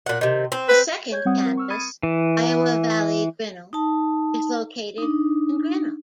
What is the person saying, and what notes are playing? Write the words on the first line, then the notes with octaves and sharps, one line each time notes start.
A second campus, Iowa Valley Grinnell, is located in Grinnell.
A#2 F#5
C3 D#3
C4
B4
C#5 G6 G#6
G3 C4 F#5 D#6
C4 A#4
C#6 E6 F6
B5 D#6 G#6 A6 C#7 D#7
E3
D#4 A5
D4 D#4